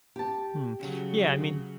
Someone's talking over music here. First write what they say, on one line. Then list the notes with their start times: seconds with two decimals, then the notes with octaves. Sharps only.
Hmm. Yeah, I mean
0.16 G4 A5
0.79 C#3 F#3